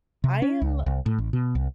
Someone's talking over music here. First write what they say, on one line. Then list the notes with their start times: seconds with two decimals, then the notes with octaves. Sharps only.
I am
0.24 C3
0.42 C#4
0.62 C#2
0.86 C2
1.06 A2
1.18 A1
1.33 B2
1.55 C2